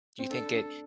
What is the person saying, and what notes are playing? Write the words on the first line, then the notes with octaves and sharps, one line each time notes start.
Do you think it
C4
D4 A4
D4